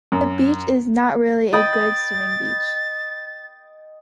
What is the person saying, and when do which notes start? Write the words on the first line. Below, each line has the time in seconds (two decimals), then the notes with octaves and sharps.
The beach is not really a good swimming beach.
0.12 F#2
1.53 D#5 G5 B5 A6